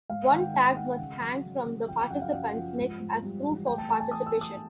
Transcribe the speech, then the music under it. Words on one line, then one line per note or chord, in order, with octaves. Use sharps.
One tag must hang from the participant's neck as proof of participation.
G#2 F5
F#5
D#3
G5
G#3 G5
G#3 F#5
C#3
F#3
F#3
C#3
F3 G5
G5
F#2 F#5
F5
F#2 F#5
F3
G#2
G#2
G3
E3
A2 G5
A5
A3 G#5
A5
E3 D#6
E6
E3
D#6